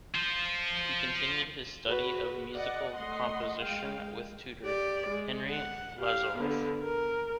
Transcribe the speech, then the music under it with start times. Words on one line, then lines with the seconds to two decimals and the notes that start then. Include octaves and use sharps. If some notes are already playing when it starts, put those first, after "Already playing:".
He continued his study of musical composition with tutor Henri Lazarof.
0.15 F4 C5
1.86 F#4 G#4 B4
2.54 D5 D#5 F#5
2.95 A3 D#5 F#5 C6
3.59 G#3 F5 G5
4.64 G4 D5
5.10 G#3
5.50 F#5
6.00 G4 F5
6.38 D3 B3
6.83 A#4